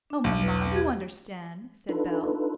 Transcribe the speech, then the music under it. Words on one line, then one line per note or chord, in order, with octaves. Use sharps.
"Oh, mamma, you understand," said Bell.
D4
B1
E2 B4
G4 G#6
D4 D#4 F4 A4 B4